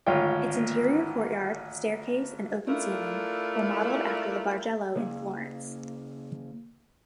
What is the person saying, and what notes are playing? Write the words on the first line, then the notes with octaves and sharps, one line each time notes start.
Its interior courtyard, staircase, and open ceiling were modeled after the Bargello in Florence.
G#1 D2 F4 C#5 G5
A3 D4 E4 F4 A#4
C#3 A#3 G#4